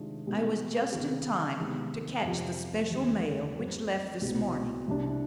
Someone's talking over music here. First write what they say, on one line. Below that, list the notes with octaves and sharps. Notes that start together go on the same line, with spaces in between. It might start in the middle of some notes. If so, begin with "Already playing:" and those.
I was just in time to catch the special mail which left this morning.
Already playing: C3 D#3 G#3 D4 F4
B2 G#3 B3 D#4
C3 D#3 B3 F4 G#4
C3 D#3 G#3 B3
F2 C3 F3
D#2 D#3 G#3
G2 F3 C4 G4
C2 B2 G#3 C4 D#4
C2 C3 G3 D4